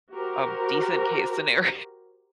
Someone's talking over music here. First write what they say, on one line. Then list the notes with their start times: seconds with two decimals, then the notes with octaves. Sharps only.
a decent case scenario
0.13 F#4 G4 A#4 C5